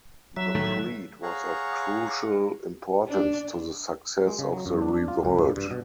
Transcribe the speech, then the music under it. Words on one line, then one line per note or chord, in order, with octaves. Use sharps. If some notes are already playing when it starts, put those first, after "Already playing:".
The fleet was of crucial importance to the success of the revolt.
F#3 E5
A2 D#3 A3
G#4 C#5 F5 F#5 A#5 C#6
D4
G#3
C#3
F#3
F#2
D4
D4
F4
C#2
G2
G2
B2